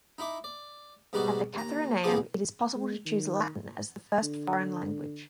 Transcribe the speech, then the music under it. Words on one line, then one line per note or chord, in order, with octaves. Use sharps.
At the Katharineum it is possible to choose Latin as the first foreign language.
D#4 E4 E5 D6
D5
G#2 B2 G3 D#4 F#4 D5
D#2 A#5
C2 D#3 A#3 B3 G#4 D6
G#3
D#3
D3